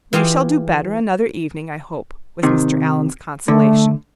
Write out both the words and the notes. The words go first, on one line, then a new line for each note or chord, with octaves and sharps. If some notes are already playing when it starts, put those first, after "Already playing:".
"We shall do better another evening I hope," was Mr. Allen's consolation.
E3 F4 G4 G#4 F5
C3 D#3
D3 A3